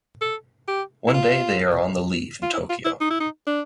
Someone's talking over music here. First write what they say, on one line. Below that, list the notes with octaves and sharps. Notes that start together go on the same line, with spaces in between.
One day they are on the leave in Tokyo.
A4
G4
E4
F4
F4
E4
F4
E4
D#4
E4
D#4
D4